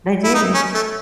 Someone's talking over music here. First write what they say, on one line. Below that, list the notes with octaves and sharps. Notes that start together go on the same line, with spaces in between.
They do.
E4
D#4
C#4
A3